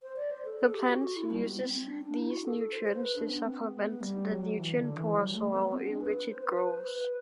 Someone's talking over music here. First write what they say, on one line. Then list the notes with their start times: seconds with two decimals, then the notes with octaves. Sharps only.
The plant uses these nutrients to supplement the nutrient-poor soil in which it grows.
0.02 C5
0.16 D5
0.31 C5
0.45 A4
0.59 A4
0.73 G4
0.88 F#4
1.02 F#4
1.17 E4
1.30 G3
1.44 B3
1.59 C4
1.73 C4
1.87 D4
2.02 D4
2.16 E4
2.30 F#4
2.44 A4
2.58 A4
2.72 C5
2.87 C5
3.01 B4
3.16 D4
3.29 B3
3.44 C4
3.63 B3
3.82 B3
4.01 G3
4.29 F#3
4.58 E3
4.77 D3
4.96 E3
5.15 F#3
5.25 G3
5.34 A3
5.52 B3
5.72 C4
5.86 D4
6.01 B4
6.28 C5
6.42 B4
6.57 B4
6.71 C5
6.85 B4